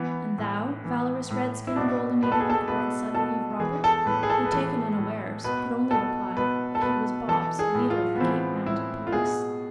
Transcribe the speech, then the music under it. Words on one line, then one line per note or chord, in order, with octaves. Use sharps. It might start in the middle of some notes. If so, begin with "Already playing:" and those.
And thou, valorous Redskin?' Golden Eagle inquired suddenly of Robert, who, taken unawares, could only reply that he was Bobs, leader of the Cape Mounted Police.
Already playing: E3 B3
A2
E3
A2
E4
B2 D4
B2 B4
A4
G#4
A4
B2 B4
B2 A4
E3 G#4
A4
A2 B4
G#4
A4
B4
E3 A4
A2
B2 B4
B2 A4
B2 B4
A4
B2 B4
E3 A4
G#4
A2
F4
B3
E3 C4
A2 E4
F4
B2 G#4